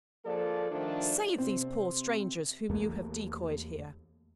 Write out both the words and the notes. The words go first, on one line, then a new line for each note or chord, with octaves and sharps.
Save these poor strangers, whom you have decoyed here.
F3 A#3 G#4 A4 D5
D#3 F3 A3 D4
C3 C4
E2 A3 A#3